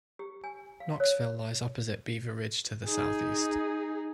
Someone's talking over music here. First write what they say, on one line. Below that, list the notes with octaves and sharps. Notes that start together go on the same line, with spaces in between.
Knoxville lies opposite Beaver Ridge to the southeast.
G4
G#5
F5
C#5
D#4 G#4